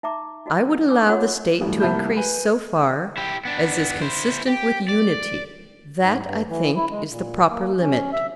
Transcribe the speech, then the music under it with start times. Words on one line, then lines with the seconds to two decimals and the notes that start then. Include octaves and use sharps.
I would allow the State to increase so far as is consistent with unity; that, I think, is the proper limit.
0.03 D#4 E5 A#5 D6
0.46 D#4 F#4 D#5
0.89 D4 D6 E6
1.09 F4 F#4 G#4 C#5 F#5
1.61 A1 G2 F#3 A3
1.80 C2 A#3 E5 A5 B5 G6
2.16 B4 G#5 D#7
3.17 E4 G4
3.45 B3 D4
4.02 E4 C5
4.47 G4
4.89 D5
6.00 G#2
6.24 G2
6.49 E3
6.76 E4
6.90 G#3
7.11 A#2
7.50 A#3
7.81 C#4
8.13 E5